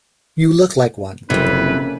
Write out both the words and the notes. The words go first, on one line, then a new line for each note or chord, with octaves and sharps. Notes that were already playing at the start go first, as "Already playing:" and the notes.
You look like one.
F#1 F2 C3 E3 A#3 C#4 B4